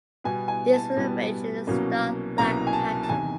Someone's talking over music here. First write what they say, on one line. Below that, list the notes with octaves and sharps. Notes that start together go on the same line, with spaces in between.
These were arranged in a star-like pattern.
B2 G3 B3 G#5
G#5
A5
B2 G3 B3
C2 B2 F#3 A#3 C#4
C2 B2 F#3 A#3 C#4 A#5
G#5
A5
A5
E2 C3 D#3 G#5